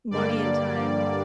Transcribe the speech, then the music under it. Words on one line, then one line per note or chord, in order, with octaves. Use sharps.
money and time,
G2 D3 G3 A#3 D5